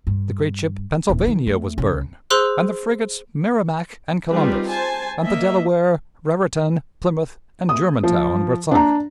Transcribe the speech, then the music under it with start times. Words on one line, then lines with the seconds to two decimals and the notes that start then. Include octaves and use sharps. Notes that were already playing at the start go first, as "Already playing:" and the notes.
The great ship Pennsylvania was burned, and the frigates Merrimac and Columbus, and the Delaware, Raritan, Plymouth, and Germantown were sunk.
0.07 G2
1.09 D#1 E3
1.27 D#3
1.47 A3
1.78 C#2 C#3
2.30 G#4 C5 C6 E6 F#6
4.32 G3 C4 D#4 F4 G#4 B4
4.70 C5 G#5 A5
5.23 A#3 D#5 E5
7.69 D#6
8.03 F3
8.71 D4 A#5